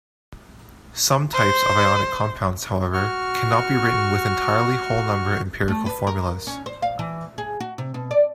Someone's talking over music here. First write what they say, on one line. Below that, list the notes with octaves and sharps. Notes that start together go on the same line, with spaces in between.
Some types of ionic compounds, however, cannot be written with entirely whole-number empirical formulas.
C5
F#4 C#6 F6
A3
B4
A#4
C#4
C5
F5
E3
G#4
F#4
C3
B2
D5